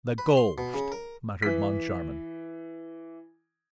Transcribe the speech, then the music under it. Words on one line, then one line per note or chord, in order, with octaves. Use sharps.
"The ghost!" muttered Moncharmin.
B4
C6
B2
C#3
A#4
E3 B6